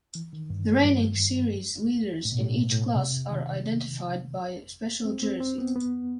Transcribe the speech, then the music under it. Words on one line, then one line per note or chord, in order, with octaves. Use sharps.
The reigning series leaders in each class are identified by a special jersey.
E3
D#3
G2
G2
G2
A2
B2
A2
B2
A2
C3
D#3
C4
C4
C4
B3
B3